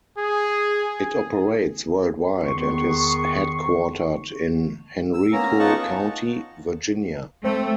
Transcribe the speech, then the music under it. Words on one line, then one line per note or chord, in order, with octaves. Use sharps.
It operates worldwide and is headquartered in Henrico County, Virginia.
G#4
E2 D#3 B3 G#4 C6 C#6
E6
A#3 B3 C#4 A#5
D#4 F4 F#5 A5 C#6
A3 C4